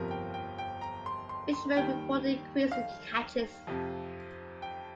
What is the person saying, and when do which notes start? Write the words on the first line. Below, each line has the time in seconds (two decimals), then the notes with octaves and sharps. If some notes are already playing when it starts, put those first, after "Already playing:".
Fishermen reported increase in catches.
Already playing: G1 F2 C3 F3 A#4
0.11 G5
0.34 G5
0.58 G5
0.81 A#5
1.06 C6
1.29 C6
1.53 C6
1.77 D#2 D#3 G3 G5
2.72 F5
3.67 F2 C3 F3
4.62 G5